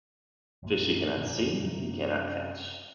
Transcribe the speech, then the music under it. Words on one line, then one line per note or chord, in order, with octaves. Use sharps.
Fish you cannot see, you cannot catch.
A#1 F#2 D#3 A#3
F#1 F2 A#2 D3
F#2 C3